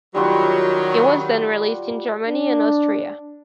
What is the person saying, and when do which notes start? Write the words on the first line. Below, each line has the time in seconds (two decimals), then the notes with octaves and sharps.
It was then released in Germany and Austria.
0.15 D#3 F#3 G3 F4 F#4
2.27 D4